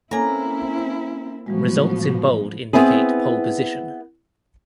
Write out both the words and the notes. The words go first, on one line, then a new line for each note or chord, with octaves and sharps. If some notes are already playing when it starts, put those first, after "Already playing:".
Results in bold indicate pole position.
A#3 C4 C#4 E4 A4 C#5 G#5 A#5
A2 E3 F3 G3 G#3 B3 F#4
B3 C4 E4 G#4